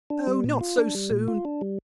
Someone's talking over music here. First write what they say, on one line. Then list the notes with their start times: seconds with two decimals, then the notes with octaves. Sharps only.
'Oh, not so soon!
0.10 D4
0.27 G3
0.44 A#2
0.61 F4
0.78 D4
0.95 G3
1.11 A#2
1.28 F4
1.45 D4
1.61 G3